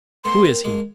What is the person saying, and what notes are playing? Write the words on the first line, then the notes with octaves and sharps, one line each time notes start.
Who is he?'
A3 B3 C6
A#3 C4
G#3 A#3